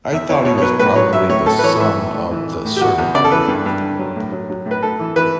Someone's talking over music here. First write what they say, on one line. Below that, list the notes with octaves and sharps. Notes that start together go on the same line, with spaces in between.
I thought he was probably the son of the servant-woman.
E2 E5
E2 C#5
B2 C#5
C#5
F#3 B4
A2 B4
F#3 C#5
F#3 E5
A2 C#5
A2 A4
B4
E3 C#5
E3 E5
A2
A2
E3
E3
A2
G4
E2 F#4
E2
C#3 D5
A4
E3 B4
G2
G2
D3
F#3
A2
F#3
F#3
A2
B4
A2 A4
E3
E3 B4